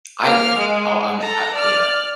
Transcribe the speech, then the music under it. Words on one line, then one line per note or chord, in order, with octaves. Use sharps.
I would. I'll, um, I yeah.
A#3 F6
G#3
A4 A#5
D5 F6